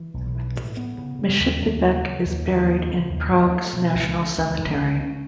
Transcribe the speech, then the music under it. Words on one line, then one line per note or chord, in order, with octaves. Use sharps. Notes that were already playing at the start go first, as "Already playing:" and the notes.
Myslbek is buried in Prague's National Cemetery.
Already playing: E3
B1
E3
A2
B3
C#3
C#3
D#2
D#2
C#3
E3
D#2
D#2
D#2
C#3
D#2
D#2
A3
B2
C#2
A3
C#2
C#2
C#2
C#4